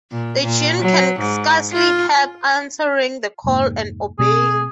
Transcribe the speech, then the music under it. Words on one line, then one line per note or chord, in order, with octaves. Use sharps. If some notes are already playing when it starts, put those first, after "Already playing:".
The jinn can scarcely help answering the call and obeying.
A#2
A#2
F#3
G#2
F4
F1 G#2 A#3
B2 A3 C4 G#4